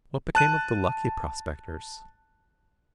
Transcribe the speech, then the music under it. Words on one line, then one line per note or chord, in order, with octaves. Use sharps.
What became of the lucky prospectors?
A5 F#6 D#7